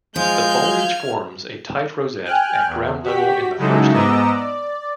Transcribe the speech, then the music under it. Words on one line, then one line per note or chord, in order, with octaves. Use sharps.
The foliage forms a tight rosette at ground level in the first year.
F3 G#3 F4 F6 G6 G#6
G5 G#5 F6 F#6
E2
F#4 G4 B6
C#3 F#3 G#3 D#4 E4 A4
G#2 B3 D#5 A#5 D6 E6
D5